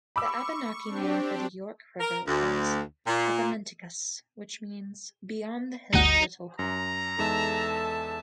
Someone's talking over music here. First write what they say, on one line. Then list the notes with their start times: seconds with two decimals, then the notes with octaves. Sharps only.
The Abenaki name for the York River was "Agamenticus", which means "Beyond-the-hill-little-cove".
0.16 B5 C#6 D6 E6
0.86 C4 D4 G4
2.00 A#4
2.28 D2
3.07 A#2
5.94 G1 D2 D#4 F#5
6.59 F#2 A#5
7.18 E2 G#3 D#4 A4 E5 A5